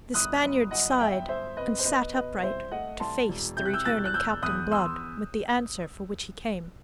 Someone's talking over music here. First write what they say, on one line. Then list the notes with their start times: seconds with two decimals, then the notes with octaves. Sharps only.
The Spaniard sighed, and sat upright to face the returning Captain Blood with the answer for which he came.
0.14 G1 D#6 F#6
0.43 G1
0.71 F#2 D#5 F#5
1.00 G1 E5 G5
1.28 G1 C5 E5
1.57 C4 B4 D#5
1.79 C5
1.85 B2 B4 D#5
2.14 B2 B4 D#5
2.43 C2 C5 E5
2.71 A3 D#5 F#5
3.00 C2 A5 C6
3.29 E1
3.57 C3 G6
3.65 F#6
3.73 E6 G6
3.85 E1 F#6 A6
4.05 F#6
4.14 E1 E6 G6
4.42 E2 D#6 F#6
4.71 E2 C6 E6